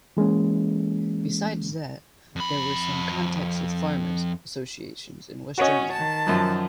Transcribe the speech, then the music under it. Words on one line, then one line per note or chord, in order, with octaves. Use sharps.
Besides that, there were some contacts with farmers' associations in West Germany.
E3 G#3 A#3 C#4
F2 B5
C#4 F#4 C#5 D#5
D#3 A5
F#2 F3 F#3